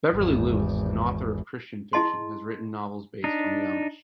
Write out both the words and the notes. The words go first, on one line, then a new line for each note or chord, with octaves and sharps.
Beverly Lewis, an author of Christian fiction, has written novels based on the Amish.
G#1 E2
E4 G#4 D#5 A5 C6
D4 D#4